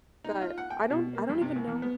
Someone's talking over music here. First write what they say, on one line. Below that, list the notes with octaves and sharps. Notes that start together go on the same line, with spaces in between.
but I don't I don't even know.
D#4
F4
F#5
G5
B2
A#3
G2
C3
C2
E2
B3